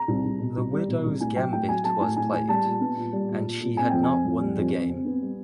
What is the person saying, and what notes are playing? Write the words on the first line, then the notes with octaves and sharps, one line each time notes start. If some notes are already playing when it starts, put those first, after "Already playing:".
The widow's gambit was played, and she had not won the game.
Already playing: A#5
C2
C2
B2
C2
G3
B2
C2
A2 G#5
F#3 G5
A2 G5
F#3 G#5
F#3 A5
A2 G#5
A2 G#5
A2 G#5
G3 A5
A#2
B3
A#2
G3
A#2
A#2
A#2
C4 G#5
F2 G5
G#5
C4
F2
G3
F2
C4
C4
B3
G3